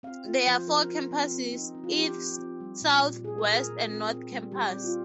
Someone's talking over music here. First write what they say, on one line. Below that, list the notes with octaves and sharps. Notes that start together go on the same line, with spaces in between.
There are four campuses: East, South, West and North Campus.
C4 F5
F4
F3 C5
F3 A#4
F4
C4
C4
D#4
C4
F4
F3 G4
C4
C4
G3
A#2
A#2
A#2 G#4
A#4
A#2
G#4
A#2
C4
C4
G3
G3 G4
C4
F4